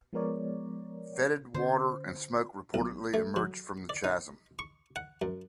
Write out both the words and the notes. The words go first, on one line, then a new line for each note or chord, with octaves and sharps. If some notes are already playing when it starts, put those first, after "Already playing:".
Fetid water and smoke reportedly emerged from the chasm.
F3 G#3 B3 A#4 C#5 D5
D3 C#4 C5
B1
A3
F#3
D5
D#4
C#6
F#5
F#2